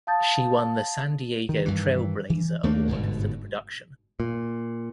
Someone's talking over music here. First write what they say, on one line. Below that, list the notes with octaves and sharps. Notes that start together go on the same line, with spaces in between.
She won the San Diego Trailblazer award for the production.
F5 A5 D#6 G6 A6
D#3
G2 D#3 E3
E3
D#2 A3 A#3 D4
G1 D#2 G#2 B2
A#2